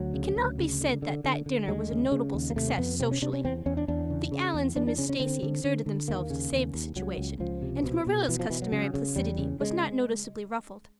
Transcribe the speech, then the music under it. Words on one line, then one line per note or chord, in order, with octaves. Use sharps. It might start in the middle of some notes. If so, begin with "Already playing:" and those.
It cannot be said that that dinner was a notable success socially. The Allans and Miss Stacy exerted themselves to save the situation and Marilla's customary placidity was not noticeably ruffled.
Already playing: D2 F#3
C#3
D2
C#3
D3
D3
D3
D3
D#2 G#3
C#3
C#3
D#2
A#3
C3 A3
F2 B3
C3 C4
C#4
C3 D4
C#4
E2 C4
E2 C#4
D4
E2 D4
C#3
C#3
E2
E2 D4
D4
C#3 C#4
C#4
D3 C4
D3
D3
D3
D#2 A#3
C#3
D#2
D#2
C#2 F#3
C#2
C#2 F3
C3
B2
B2
B2 E3
F3
B2 E3
F#3
C#3
C#3
E2 G3
C#3
C#3 G#3